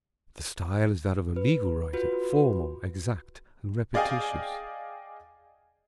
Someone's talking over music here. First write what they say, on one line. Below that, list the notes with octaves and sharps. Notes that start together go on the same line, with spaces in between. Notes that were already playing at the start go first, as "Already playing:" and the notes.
The style is that of a legal writer--formal, exact and repetitious.
B4
F4 F#4 B4
G#4 D5 D#5 F5 G5 G#5